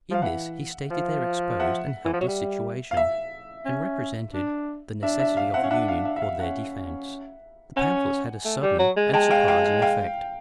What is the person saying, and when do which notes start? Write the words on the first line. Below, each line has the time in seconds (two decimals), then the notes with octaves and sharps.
In this he stated their exposed and helpless situation, and represented the necessity of union for their defence. The pamphlet had a sudden and surprising effect.
0.11 F3 F5
0.22 E3 E5 F#5
0.91 F3
1.60 E5 F#5
2.05 E3
2.13 F3
2.21 F#3
2.28 G3
2.91 F5
2.97 E5
3.65 C#4
4.34 D4
5.02 D4 E5
5.20 E5
5.37 F5
5.54 C4 E5 F#5
5.63 C#4
5.71 D4 E5 F#5
5.88 F5
6.05 E5
6.16 E5
6.22 F5
6.39 C#4 E5 F#5
7.77 C#4 F#5 G#5
8.45 A3
8.62 G3
8.79 F#3
8.96 G#3
9.13 G#3 G5 A5
9.31 F5 G5
9.48 F5 G5
9.65 F5
9.82 F5 G5